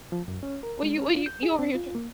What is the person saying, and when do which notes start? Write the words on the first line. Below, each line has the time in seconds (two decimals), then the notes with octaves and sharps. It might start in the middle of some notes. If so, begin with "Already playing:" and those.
Well, you you over here, tr
0.12 F3
0.28 F#2
0.43 C#4
0.63 A#4
0.83 G#3
0.98 C#4
1.10 F4
1.26 G6
1.43 G#4
1.59 C4
1.75 F4
1.95 A#3